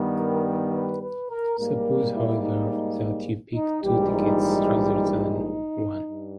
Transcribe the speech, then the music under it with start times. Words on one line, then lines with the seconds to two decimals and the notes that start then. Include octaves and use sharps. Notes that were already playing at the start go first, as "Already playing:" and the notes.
Suppose, however, that you pick "two" tickets rather than "one".
Already playing: G2 D#3 G3 B3
0.18 A#4
0.74 B4
1.02 B4
1.30 A#4
1.58 G#2 G3 A#3 A#4
2.14 E4
2.42 D#4
2.70 D#4
3.54 D#4
3.82 A#1 G#2 E3 G3 G4
4.11 D#4
4.94 D#4
6.07 G2